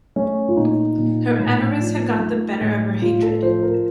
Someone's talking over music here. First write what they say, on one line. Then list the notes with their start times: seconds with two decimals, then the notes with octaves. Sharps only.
Her avarice had got the better of her hatred.
0.16 A3 C#4
0.48 F4
0.57 A#2 D#4
0.98 A#2
1.39 A2
1.80 F3
2.20 A3
2.61 A2
3.02 A2 F4
3.22 A4
3.43 F3 C5
3.63 A#4